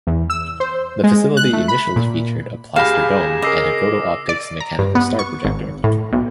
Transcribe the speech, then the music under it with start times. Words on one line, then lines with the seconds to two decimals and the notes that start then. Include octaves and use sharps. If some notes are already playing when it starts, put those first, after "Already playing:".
The facility initially featured a plaster dome and a Goto Optics mechanical star projector.
0.07 E2
0.30 E6
0.60 C5
1.03 G#3
1.37 F#6
1.53 A3
1.68 B5
1.96 A#2
2.76 C#2 G4 G#4 F5 B5 A#6 E7
3.42 C#3 A#4 D#5 D6 E6 C7
4.29 D5
4.60 A#5
4.79 G2
4.95 B3
5.19 C#6
5.44 G#1
5.84 A2
6.13 B1